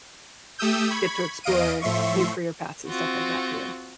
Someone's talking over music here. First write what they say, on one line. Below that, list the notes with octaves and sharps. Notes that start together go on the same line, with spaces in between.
get to explore new career paths and stuff like that too.
A3 G4 D#6 E6 G6
B5 C#6 G#6
E2 D#5 F5 D7 D#7
A2 F3 E5 C6 C#6
C4 F4 F#4